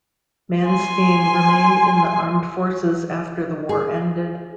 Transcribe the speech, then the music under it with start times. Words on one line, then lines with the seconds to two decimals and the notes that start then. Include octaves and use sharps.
Manstein remained in the armed forces after the war ended.
0.67 G#5 C6
3.69 G#4